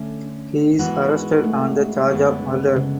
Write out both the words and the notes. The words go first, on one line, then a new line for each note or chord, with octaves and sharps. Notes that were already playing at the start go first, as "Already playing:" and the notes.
He is arrested on the charge of murder.
Already playing: D3 A3 C#4
G#2 E3 G#3 B3 F#4
A3
F#2 D3 G#3 B3
C#3